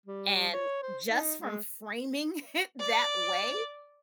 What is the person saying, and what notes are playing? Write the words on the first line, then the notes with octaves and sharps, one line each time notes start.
and just from framing it that way,
G3
C#5
C5
D#4
G#3
D5